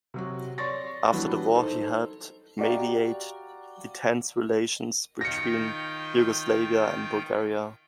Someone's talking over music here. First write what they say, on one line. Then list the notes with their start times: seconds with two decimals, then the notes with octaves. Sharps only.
After the war, he helped mediate the tense relations between Yugoslavia and Bulgaria.
0.14 C3 F#3 F#4
0.58 C#5 D5 C6 C#6 A6 A#6
1.11 E3 F#3 G3 B3 D4 F#4
1.54 D#4 A4 C5
2.59 F#4 G4 D5 F5 G5 A#5
5.21 D#3 F4 G5 A#6 C#7